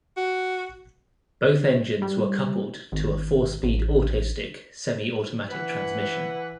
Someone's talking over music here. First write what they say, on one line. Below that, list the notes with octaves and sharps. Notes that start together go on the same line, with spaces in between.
Both engines were coupled to a four-speed Autostick semi-automatic transmission.
F#4
G3
G#1
A1
E3 B4 F#5